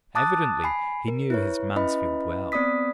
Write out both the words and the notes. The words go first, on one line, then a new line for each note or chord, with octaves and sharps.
Evidently he knew his Mansfield well.
A5 D6 D#6 F#6 A6
G#5 B5 C7
A#4
E4 B4 C#5
C#4 E4 B4 D#5 B5
B3 C4 D5 B5 D#6 B6